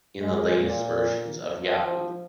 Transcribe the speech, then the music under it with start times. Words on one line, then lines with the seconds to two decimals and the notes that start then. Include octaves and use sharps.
In the latest versions of Yahoo!
0.20 G#3
0.59 A#2
1.60 F3